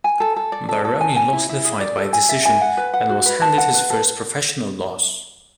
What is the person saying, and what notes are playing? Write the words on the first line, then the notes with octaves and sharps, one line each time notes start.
Baroni lost the fight by decision, and was handed his first professional loss.
G#5
A4
A4
D5
A4
A4
G#5
G#5
E4
E4
G#4
D5
A4
G#5
E5
G#5
F#5
B4
F#5
F#4
B4
A5
F#5
B4
A4